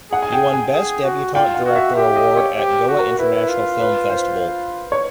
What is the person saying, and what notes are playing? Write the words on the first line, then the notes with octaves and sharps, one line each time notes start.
He won best debutant director award at Goa International film festival.
G#4 F#5
G#5
G5
G#5
G#4
F#4
F4 G5
F#5
F#4
F5
E5
G4 E5
D#5
C#5
G4 C5
F#4
A#4
E4 B4
F4
B4
C5
C#5